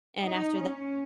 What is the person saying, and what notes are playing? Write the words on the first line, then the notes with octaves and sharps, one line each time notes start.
and after
D#4
C#4